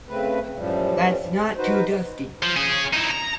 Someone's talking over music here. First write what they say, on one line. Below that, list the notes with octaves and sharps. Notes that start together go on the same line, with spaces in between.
That's not too dusty.
C#3 A3 C4 B4
F#2 A2 E3 F3 G3
D#4 F#4 B4 C5
F3
C#4 G#4
D#4 E4
A#5